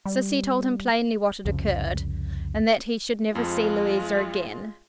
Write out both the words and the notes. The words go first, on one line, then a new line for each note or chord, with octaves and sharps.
Sissy told him plainly what had occurred, and that he should never see Louisa again.
G3
C2 F2 C#3
F2 F3 G#3 F4